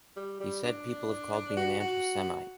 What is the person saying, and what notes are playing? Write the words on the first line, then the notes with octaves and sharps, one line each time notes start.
He said People have called me an anti-Semite.
G3
G3
D4
F#4
F#4